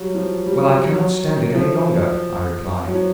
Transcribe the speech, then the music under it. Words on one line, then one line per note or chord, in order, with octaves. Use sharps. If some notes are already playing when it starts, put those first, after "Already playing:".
"Well, I cannot stand it any longer," I replied.
Already playing: F#3 G3
F3
G3
F#3
F#3
F3
F#3
F3